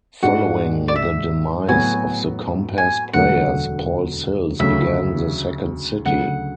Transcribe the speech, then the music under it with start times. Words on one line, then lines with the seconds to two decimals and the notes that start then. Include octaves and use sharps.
Following the demise of the Compass Players, Paul Sills began The Second City.
0.23 G#2 G#3 D4 F#4 F#5
0.88 D5
0.96 E5
1.68 A2 F#3 B3 F#4 G#5
2.78 G#5
3.13 E1 D2 D3 F#3 A3 F#5
4.59 D2 C#3 F#3 E5
6.05 D2 C#3 F#3 F#5